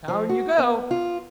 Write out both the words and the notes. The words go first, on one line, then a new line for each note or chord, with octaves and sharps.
'Down you go!
F3
F#4
B3
F4